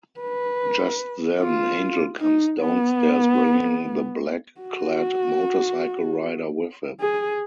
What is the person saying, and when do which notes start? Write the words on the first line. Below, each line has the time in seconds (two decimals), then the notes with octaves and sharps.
Just then, Angel comes downstairs, bringing the black-clad motorcycle rider with him.
0.20 B4
1.40 F4
2.20 D#4
2.60 B3
4.61 F#4
7.00 G#4